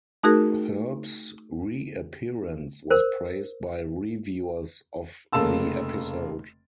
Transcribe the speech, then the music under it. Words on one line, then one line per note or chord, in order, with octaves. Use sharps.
Herb's reappearance was praised by reviewers of the episode.
A3 D#4 F#4 G#4 A#4
A#4 C5
F1 C#3 A#3 A5 E6